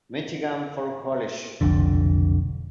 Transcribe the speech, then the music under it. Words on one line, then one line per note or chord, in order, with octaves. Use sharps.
Michigan for college.
F1 B1 F2 D3